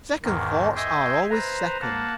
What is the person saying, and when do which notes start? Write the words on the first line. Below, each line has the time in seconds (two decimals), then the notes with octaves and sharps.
"Second thoughts are always second."
0.23 E2 G#2 D#3
0.76 D#5 E5 G5 G#5 C6
1.31 B4 C5 A#5
1.82 A#3 F#5 A5